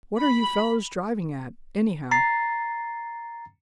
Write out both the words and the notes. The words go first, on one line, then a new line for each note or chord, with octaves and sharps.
"What are you fellows driving at, anyhow?"
B5
A#5 A6 C7